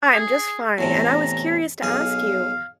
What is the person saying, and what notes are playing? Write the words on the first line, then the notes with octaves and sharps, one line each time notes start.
I'm just fine, and I was curious to ask you,
G#4
E2 A2 C3 A#5
B1 G#4 F5